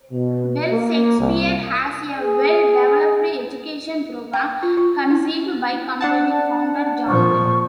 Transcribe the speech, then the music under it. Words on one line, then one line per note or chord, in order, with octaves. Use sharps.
Bell Shakespeare has a well-developed education program, conceived by company founder John Bell.
B2
A#3
C2
G#4
G5
F4
F4
E4
D4 F#5 A5
A#2 F3 C#6